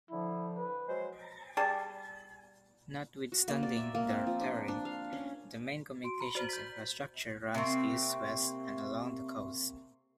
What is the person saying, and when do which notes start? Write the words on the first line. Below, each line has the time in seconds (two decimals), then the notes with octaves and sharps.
Notwithstanding the terrain, the main communications infrastructure runs east-west along the coast.
0.10 D3 F3 E4
0.57 B4
0.87 F#3 G#3 C5
1.57 G3 G#4 A5
3.32 F#4
3.48 A#3
3.63 D5
3.76 E5
3.95 A#3
4.10 C4
4.27 F3
4.41 D4
4.68 D4
4.85 F5
5.13 C#4
6.04 F#4 C6 D7
6.20 A#5 B5
6.35 F#4 C5 D5 F#7
6.49 G6 B6
7.54 C3 A#3 C4 E5 C6 C#6